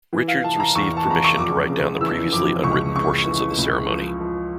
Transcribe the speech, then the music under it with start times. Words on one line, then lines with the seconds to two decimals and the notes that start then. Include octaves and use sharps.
Richards received permission to write down the previously unwritten portions of the ceremony.
0.13 E3
0.28 F5
0.44 E3 A5
0.60 A#5
0.75 E2 C#6
0.97 A5
1.07 E2 A#5
1.24 C#6
1.38 F2 D6
1.70 C#3
2.01 E3 E6
2.33 F2 D6
2.64 C#2 C#6
2.95 C#3 C#6
3.27 E3
3.58 C#2
3.90 F3
4.20 F3